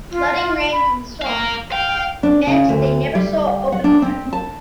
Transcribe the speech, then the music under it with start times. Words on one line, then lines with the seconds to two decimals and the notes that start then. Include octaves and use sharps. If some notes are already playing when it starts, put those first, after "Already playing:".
Flooding rains and swamps meant they never saw open ocean.
0.11 F4
0.72 B5
1.22 A#4 F5
1.72 F5 G5
2.23 D4
2.47 C#3
2.69 D2
3.15 G3
3.72 F#5
3.84 D4
4.02 C4
4.33 A5